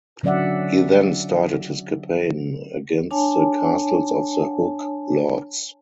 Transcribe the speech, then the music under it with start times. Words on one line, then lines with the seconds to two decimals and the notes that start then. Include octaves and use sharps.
He then started his campaign against the castles of the Hook lords.
0.23 D3 F#3 C#4 D5 E5 F#5
3.11 D4 C#5 G#5 A5